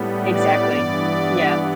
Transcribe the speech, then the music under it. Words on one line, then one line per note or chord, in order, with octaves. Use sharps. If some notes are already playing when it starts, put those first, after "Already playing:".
Exactly, yeah.
Already playing: A2 G3 B3
D5
G2 E3 B3